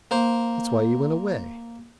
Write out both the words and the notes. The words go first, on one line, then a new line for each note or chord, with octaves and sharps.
That's why he went away.
A#3 C5